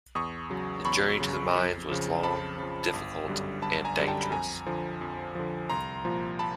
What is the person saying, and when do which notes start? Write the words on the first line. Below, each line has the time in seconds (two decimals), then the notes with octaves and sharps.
The journey to the mines was long, difficult and dangerous.
0.15 E2 C#6 D#6
0.50 C#3 F#3
0.85 E2 B5 C#6
1.20 C#3 F#3
1.55 F2
1.89 C#3 F3
2.23 F2 A5 B5
2.58 C#3 F3
2.93 G1
3.28 F#2 D3 G3
3.62 G1 A5 B5
3.85 G#5 A#5
3.97 F#2 D3 G3
4.08 G5 A5
4.23 B5
4.31 F2 G#5 A#5
4.66 D3 F3
5.01 F2
5.35 D3 F3
5.70 C2 A#5 C6
6.05 A#2 F3
6.39 A5 B5